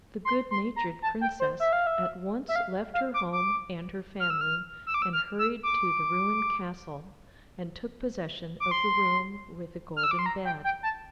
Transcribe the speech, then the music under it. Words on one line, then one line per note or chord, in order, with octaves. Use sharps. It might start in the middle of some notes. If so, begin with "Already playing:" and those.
The good-natured Princess at once left her home and her family and hurried to the ruined castle, and took possession of the room with the golden bed.
C6
C6
A#5
A5
G5
C5
E5
F5
E5
E5
F5
F5
D6
D6
F6
E6
F6
E6
D6
E6
F6
E6
D6
D6
C6
F6
E6
D6
C6
A#5
G5
G5
A5